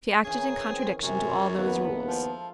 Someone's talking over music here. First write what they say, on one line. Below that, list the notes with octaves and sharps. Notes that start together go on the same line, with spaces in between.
She acted in contradiction to all those rules.
D#3 E3 C#4 G#4
C4
F#2 C3 G#3
D#2 A#3 B3 E4 F#5
F3 F4 A4